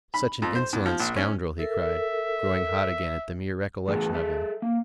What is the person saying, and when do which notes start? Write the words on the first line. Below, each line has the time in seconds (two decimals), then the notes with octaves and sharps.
"Such an insolent scoundrel!" he cried, growing hot again at the mere recollection of him.
0.14 B5
0.42 F2
0.55 C5
0.73 E2
0.86 F3
1.00 A#1
1.16 C#4
1.60 A4 A#4 E5
3.88 A2 E3 A3 B3 G#4
4.14 G#4 A4 E5
4.62 A#3